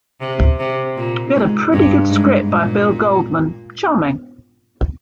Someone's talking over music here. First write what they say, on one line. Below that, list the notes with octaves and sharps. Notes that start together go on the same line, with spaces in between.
We had a pretty good script by Bill Goldman, charming.
C3
C3
A#2
G#2
G2
G#2
A#2